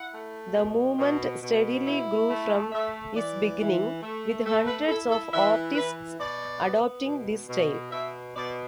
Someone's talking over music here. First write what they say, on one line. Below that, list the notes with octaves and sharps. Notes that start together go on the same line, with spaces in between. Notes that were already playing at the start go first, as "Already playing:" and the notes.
The movement steadily grew from its beginning, with hundreds of artists adopting this style.
Already playing: E4 F#5
A3
B2
B2
B2
E4
A3
A3 E5
E3 D5
E3
A3
A3 A4
B4
E4 A4
A4
E3 E5
E3 B4
B2 D5
B3
B2
B2
B2 E5
B2 D5